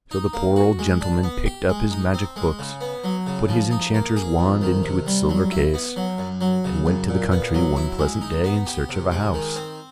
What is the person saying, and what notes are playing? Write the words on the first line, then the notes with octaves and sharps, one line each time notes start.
So the poor old gentleman packed up his magic books, put his enchanter's wand into its silver case, and went to the country one pleasant day in search of a house.
D#4
A#3
F#4
G#3
D4
B3
G4
G#3
D#4
C4
G#3
C#3
B3
F#3
C#3
F3
D#4
A#3
G#4
F2
D#3
C3
G3
F#3
E4
B3
F#3
F#2
F#3
C#3
F#2
A#2
B3
F#3
E4
G#3
D#4
B3
G4
C3
G#3
D#3
C4